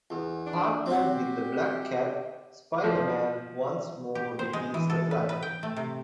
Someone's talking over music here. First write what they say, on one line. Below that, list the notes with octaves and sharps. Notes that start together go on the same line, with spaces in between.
Partnered with the Black Cat, Spider-Man once more defeats the Fly.
E2
D4
C4 F#4 G4
F3
G4
C5
G#3
E3
A4
B4
B4
G5
A3
C3